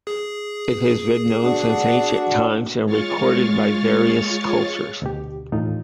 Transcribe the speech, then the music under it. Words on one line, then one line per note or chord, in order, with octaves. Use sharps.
It has been known since ancient times and recorded by various cultures.
G#4
D4 F#4
G#3 F4 C#5 C#6 F6 A6
D2 B2 G4
D#2 A2 E3 D#4 F4